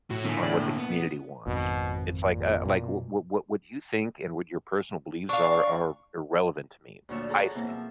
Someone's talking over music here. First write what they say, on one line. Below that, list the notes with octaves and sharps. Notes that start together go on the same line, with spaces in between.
on what the community wants. It's like, uh, like, what what what you think and what your personal beliefs are are irrelevant to me, I think.
A2 F#4
A#2 D3 A3 A#3 G#5
D5
B2 A#3
B3
G#1 F2 B2 D#3
A#2
F#2 B2
D4 F5 C#6
D2 A#2 F3 C#5 E5
G#4 A4 C#5 A5 A#5
F#4
B2 E3 A#3 C4
F3 E5